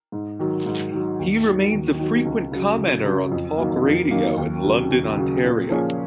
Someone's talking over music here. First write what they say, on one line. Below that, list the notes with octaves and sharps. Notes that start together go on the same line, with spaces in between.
He remains a frequent commentator on talk radio in London, Ontario.
G#2
D#3 F#3
G#2
D#3 F#3
D#2
D#3 F#3
D#2
D#3 F#3
C#2
C#3 F#3
C#2
C#3 F#3
F2
D#3 F#3 A#3
F2
D#3 F#3 A#3
D#2
C#3 F#3
D#2
C#3 F#3
A#2
F3 A#3 C#4 G#4